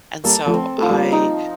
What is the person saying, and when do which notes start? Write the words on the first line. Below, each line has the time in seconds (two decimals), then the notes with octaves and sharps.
and so, I
0.24 G3 A#3 A4
0.46 F3 A3
0.54 C4
0.78 F3 A3
0.90 G3 A#3
1.12 D#4